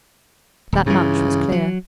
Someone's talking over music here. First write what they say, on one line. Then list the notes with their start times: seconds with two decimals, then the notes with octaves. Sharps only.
That much was clear.
0.72 D#1
0.86 G2 C#3 E3
1.52 F#3